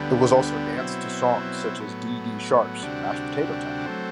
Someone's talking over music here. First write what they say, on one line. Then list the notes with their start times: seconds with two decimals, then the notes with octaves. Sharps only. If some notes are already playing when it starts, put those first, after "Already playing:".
It was also danced to songs such as Dee Dee Sharp's "Mashed Potato Time".
Already playing: D2 D3 G3 B3
0.75 B2 F#3 C4 E4
1.79 A2 F#3 B3
2.82 D2 C3 G3 D4 F#4
3.86 F#3 A3 C4